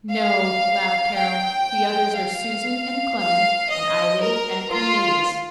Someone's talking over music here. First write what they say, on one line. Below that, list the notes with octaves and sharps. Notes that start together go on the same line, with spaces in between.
"No," laughed Carol, "the others are Susan, and Clement, and Eily, and Cornelius."
F5
G5
F5
F5
D#5
A#4
F4